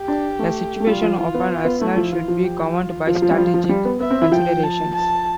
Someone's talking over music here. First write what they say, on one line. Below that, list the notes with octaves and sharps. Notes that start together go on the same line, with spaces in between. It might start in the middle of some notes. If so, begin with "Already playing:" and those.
The situation of an arsenal should be governed by strategic considerations.
Already playing: G4
D4
A3
A3
G3 F4
F3
E3 F4
B3
B3
A3 E4
F3
E3 F4
F3
G4
F4
F3 F4
F3
G3
F3
F3
G3
B3
B3 E5
C4
E4
F3 G5
A5
A5